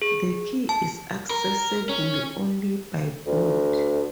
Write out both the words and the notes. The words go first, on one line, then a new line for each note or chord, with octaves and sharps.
The key is accessible only by boat.
G#4
A5
A#4
C#4
D2